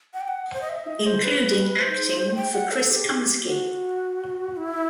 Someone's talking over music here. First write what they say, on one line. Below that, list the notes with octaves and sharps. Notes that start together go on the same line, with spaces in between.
Including acting for Chris Comesky.
F#5
G5
F#5
C5
D#5
E5
D#5
C5
B4
C5
C5
G5
F#5
A4
G4
F#4
E4